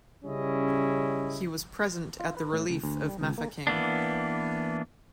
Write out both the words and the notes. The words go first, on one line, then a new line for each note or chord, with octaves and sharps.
He was present at the Relief of Mafeking.
C#3 G3 C#4 E4 D#5
F4
B4
A2
C#2
D2
G3
C#2
A#3
E3 A#3 B3 D4